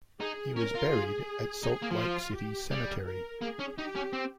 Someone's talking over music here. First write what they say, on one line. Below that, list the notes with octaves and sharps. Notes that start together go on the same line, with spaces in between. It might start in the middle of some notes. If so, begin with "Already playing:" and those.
He was buried at Salt Lake City Cemetery.
D#4 G#4
C#4 A#4
F4
G#4
D#4 G#4
A#3
F3
F4
G4
G3 G#4
A#4
A#3 G#4
C#4
D#4 G4
C#4
C4